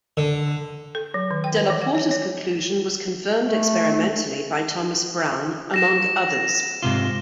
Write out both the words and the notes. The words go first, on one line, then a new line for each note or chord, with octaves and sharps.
Della Porta's conclusion was confirmed experimentally by Thomas Browne, among others.
D3
A4
F#3
D#3
G5
B4
E3
F#5
C#5
C#5
A3
A#6 E7
G#2 C3 F4